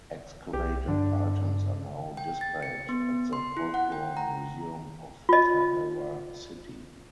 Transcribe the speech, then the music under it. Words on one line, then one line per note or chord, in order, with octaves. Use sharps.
Excavated items are now displayed at the Folklore Museum of Tahara City.
B1 G4
G2 D3 D4
G5
A6
C#7
B3
C6
E4
F#5
G5
A#5
F4 D#5